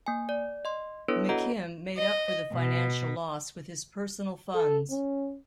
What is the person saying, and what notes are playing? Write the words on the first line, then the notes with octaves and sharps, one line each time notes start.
McKim made up for the financial loss with his personal funds.
A#3 G#5
D5
D#5 C6
B3 D4 E4 A4 B4 C#5
F#4 A4 D#5 F#5 A#5
D#5
B2
A4
C#4